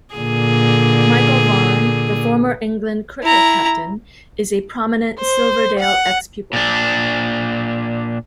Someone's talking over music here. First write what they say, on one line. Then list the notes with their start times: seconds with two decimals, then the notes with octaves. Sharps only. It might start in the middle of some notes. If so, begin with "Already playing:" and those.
Michael Vaughan, the former England cricket captain, is a prominent Silverdale ex-pupil.
0.15 A#2 D3 G#4
3.23 E4 A#5
5.19 C5
5.80 F#5
6.53 A#2 D4